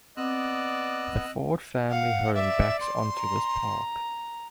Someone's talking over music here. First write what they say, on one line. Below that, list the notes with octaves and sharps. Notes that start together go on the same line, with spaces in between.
The Ford family home backs onto this park.
B3 C4 D5 D#5 E6 F#6
F5 F#5
D5 E5
C6
A#5